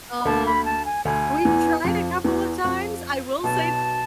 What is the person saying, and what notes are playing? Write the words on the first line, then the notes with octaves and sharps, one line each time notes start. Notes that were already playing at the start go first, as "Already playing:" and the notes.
Um, we've tried a couple of times, I will say the
B5
D2 D3 A5
B5
A5
G#5
D2 D3 G#5
E2 E3
F2 F3
E2 E3
F2 F3
B1 B2 A5